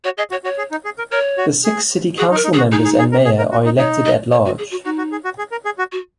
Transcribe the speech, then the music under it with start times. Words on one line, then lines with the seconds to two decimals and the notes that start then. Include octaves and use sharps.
The six City Council members and Mayor are elected at-large.
0.04 F#4 C#5
0.18 G#4 D#5
0.31 F#4 C#5
0.44 F#4 C#5
0.58 G#4
0.71 D#4
0.85 G#4
0.98 A#4
1.11 A#4 C#5
1.38 F#4
1.64 G#4
2.18 F#4 G#4
2.31 D#4
2.36 A#4
2.44 D#4
2.53 G#4
2.58 F#4
2.72 D#4 G#4
2.85 G#4
2.99 G#4
3.12 A#4
3.25 G#4
3.38 A#4
3.52 F#4
3.65 D#4
3.78 D#4 C#5
4.05 D#5
4.32 C#5
4.45 F#4
4.58 G#4
4.71 F#4
4.85 D#4 F#4
4.98 F#4
5.12 G#4
5.25 F#4
5.38 G#4
5.52 A#4
5.65 G#4
5.79 F#4
5.92 F#4